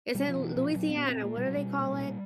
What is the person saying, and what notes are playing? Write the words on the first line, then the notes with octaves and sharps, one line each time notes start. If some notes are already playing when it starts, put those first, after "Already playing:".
it's in Louisiana; what do they call it?
B2 G3
F3
B2
E3
A#2 F3
A#2 F#3
C4
A#2 B3
C#4
C4
A#2
A#3
B2 G3
F#3
B2 G3
A#2
A#2